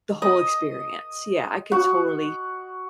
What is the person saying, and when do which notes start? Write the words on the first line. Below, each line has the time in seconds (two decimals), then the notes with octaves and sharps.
the whole experience. Yeah, I could totally s
0.22 D#5
1.72 F#4